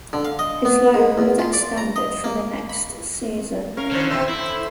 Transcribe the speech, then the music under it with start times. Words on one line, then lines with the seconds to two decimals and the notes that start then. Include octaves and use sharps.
His loan was extended for the next season.
0.13 D3
0.25 F5
0.39 D#5
0.65 B3
0.94 G#2
1.18 E2
1.39 F4
1.53 D5
1.78 A#5
1.96 D#5
2.24 A#3
2.70 B5
3.77 C#4 A#4 F5
3.91 D3 D#3 C5 C#5
4.10 B2 E3 C4 C5 E5
4.29 A2 E4